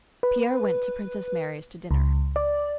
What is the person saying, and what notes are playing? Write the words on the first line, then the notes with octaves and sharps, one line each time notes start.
Pierre went to Princess Mary's to dinner.
B4
C#2
D5